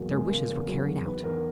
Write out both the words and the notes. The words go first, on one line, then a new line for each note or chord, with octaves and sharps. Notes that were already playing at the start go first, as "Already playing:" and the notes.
Their wishes were carried out.
Already playing: G#1 E2 B2 F#3 A#3 F#4 G#4
E2 G#3
C#3 A#3
E2
F#3 G#4
E2
D#3 B4
E2 A#4